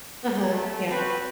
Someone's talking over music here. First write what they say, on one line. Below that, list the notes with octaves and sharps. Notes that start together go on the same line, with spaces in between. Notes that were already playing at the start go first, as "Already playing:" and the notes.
Uh-huh, yeah.
A3
C4 F#4 B4